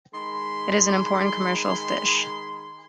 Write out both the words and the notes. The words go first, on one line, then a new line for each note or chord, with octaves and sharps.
It is an important commercial fish.
D#3 G#3 B5 C6